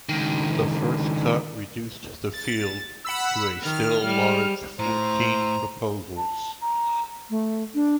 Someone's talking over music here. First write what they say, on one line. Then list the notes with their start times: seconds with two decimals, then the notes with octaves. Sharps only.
The first cut reduced the field to a still-large fourteen proposals.
0.09 C#2 D#3
2.33 A6
3.05 F#5 B5 E6
3.63 D#3 F6
4.05 G3
4.79 A2 C5 A#5
6.17 A5
6.61 A#5
7.30 A3
7.74 D4